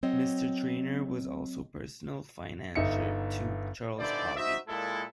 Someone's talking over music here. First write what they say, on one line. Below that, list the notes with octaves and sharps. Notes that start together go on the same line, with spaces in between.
Mr. Traynor was also personal financier to Charles Haughey.
F#3 C4 C#5 D#5
G1 D#4 E5 C#7
G1 D3 D#4 E4 C5 D5
D#4 F#4 C5 D#5 E5
A#2 G#3 E4 A4